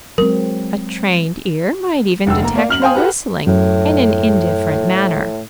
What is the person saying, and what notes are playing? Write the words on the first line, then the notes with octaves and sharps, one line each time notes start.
A trained ear might even detect her whistling in an indifferent manner.
F#3 G#3 C4 A#4
F1 D2 G5 E6
A#3 A#5
A#3 D5 F5
F#2 F6 F#7
C5 F5 G5 G#5 D#6
F#4 G4 A4 B4
F#2 A2